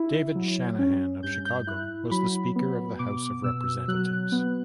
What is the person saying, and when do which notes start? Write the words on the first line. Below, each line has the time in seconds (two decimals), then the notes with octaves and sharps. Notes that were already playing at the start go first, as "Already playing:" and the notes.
David Shanahan of Chicago was the Speaker of the House of Representatives.
Already playing: E4
0.35 F#3
0.79 C#4
1.23 G2 G6
1.45 G6
1.67 E4 F#6
2.11 F#3 B5
2.56 B3
2.99 B2 D6
3.43 B2 E6
3.88 F#3 F#6
4.32 B3